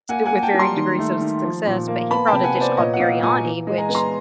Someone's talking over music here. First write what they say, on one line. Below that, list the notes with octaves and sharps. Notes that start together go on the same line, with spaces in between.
t with varying degrees of su success, but he brought a dish called biryani, which
A#3 F#5 G#5
F#5 G#5
A#3
G5 A5
G3
A#5 C6
D#3
A3
D#3
F3
A#2
A#3
B3 A5 B5
G5 A5
C3
F#5 G#5
B3
C5 D5
A#2 C#5 D#5
F#5
A#2 D#5 F5
A#2 G#5 A#5
E3
G#3
G#5 A#5
B3
A#5 C6